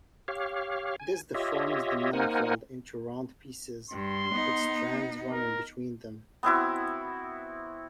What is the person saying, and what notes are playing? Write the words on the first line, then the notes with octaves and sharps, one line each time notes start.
This deforms the manifold into round pieces with strands running between them.
G4 C#5 F5
G#5
F4 G4 C#5 D#5 E5
A#3 D#4 A#4 C5 F#5 G#5
G2 C6
B3 D#4
A#4
B3 C4 E4 F#4